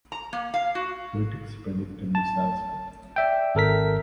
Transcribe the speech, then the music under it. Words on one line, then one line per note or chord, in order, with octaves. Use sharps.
Critics predicted disaster.
A#5
A#3
F5
F#4
A5
D5 E5 G5
G#1 A4 A#4 B6